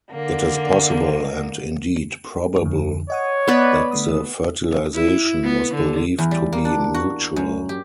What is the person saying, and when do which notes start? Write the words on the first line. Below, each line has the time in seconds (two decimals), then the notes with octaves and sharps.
It is possible and indeed probable that the fertilization was believed to be mutual.
0.11 D3 A#3
2.61 F2 D3
3.10 C#5 D#5 F#5 D#6
3.48 B3 B4 D5
3.91 D3 A3 D#6
4.94 E4
5.44 B3
5.75 D3
6.19 E2
6.31 G3
6.53 A#3
6.65 D4
6.94 F#4
7.36 F#2
7.69 G4